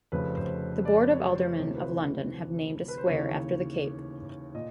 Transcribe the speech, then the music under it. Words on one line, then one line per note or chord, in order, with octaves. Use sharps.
The board of aldermen of London have named a square after the cape.
F1 F2 C#3 B4
C5
D5
C#5
C5
D2 C3 E3 C#5
C5
B4
C5
B4
B4
C5
D#2 C#3 E3 C#5
A#2 D#5